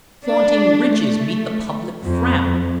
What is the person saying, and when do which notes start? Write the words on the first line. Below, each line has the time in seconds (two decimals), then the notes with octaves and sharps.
Flaunting riches meet the public frown.
0.25 D4
0.89 A3
2.04 F2